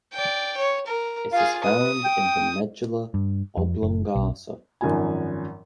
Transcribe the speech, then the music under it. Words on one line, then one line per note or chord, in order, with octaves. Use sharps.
It is found in the medulla oblongata.
D5 G5
C#5
A#4
F4 G#4 F5
B4 D#6
G5
G2
F2
F#1
B1
G#1 F#2 F3 G#5